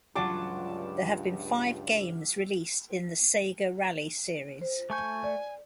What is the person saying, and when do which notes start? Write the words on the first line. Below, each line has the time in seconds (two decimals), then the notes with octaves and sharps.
There have been five games released in the "Sega Rally" series.
0.15 C#2 G2 F#3 F4 F#5 A5 D6
4.61 C5
4.90 A3 G#5 C#6 G6
5.24 D5